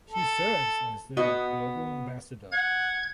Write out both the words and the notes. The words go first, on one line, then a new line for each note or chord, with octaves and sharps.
She serves as their Global Ambassador.
A4
B3 F#4 D#5
F#5 G#6